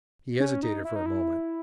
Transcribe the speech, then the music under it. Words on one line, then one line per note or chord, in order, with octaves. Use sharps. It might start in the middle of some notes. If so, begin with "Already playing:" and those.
He hesitated for a moment.
C#4
D#4
E4
D#4
E4